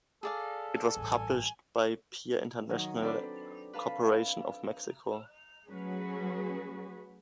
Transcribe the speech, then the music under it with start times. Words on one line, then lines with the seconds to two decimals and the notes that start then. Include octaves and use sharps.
It was published by Peer International Corporation of Mexico.
0.23 G#4 A4 D5 F5
0.96 A1 G2 G#5
2.69 D#3 F#3 D#4
3.01 C4 D4 A4 B4 C5 D5
3.73 B4 F5 A5 B5
5.69 F#3 A3 C#4 F#4 G#4 B4